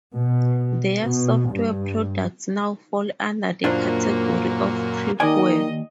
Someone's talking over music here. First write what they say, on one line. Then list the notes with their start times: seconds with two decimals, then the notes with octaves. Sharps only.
Their software products now fall under the category of crippleware.
0.15 B2
1.00 B2
1.49 G2
3.64 F#2 A#2 A#3 D4 F4 C5
5.20 D#2 D#3 D5 D#5 G#5